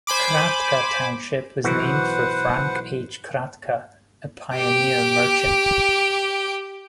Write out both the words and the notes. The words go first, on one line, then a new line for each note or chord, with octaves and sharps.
Kratka Township was named for Frank H. Kratka, a pioneer merchant.
C5 G#5 B5 D6
B1 E3 F#4 B4 C5 F#5
G4 D6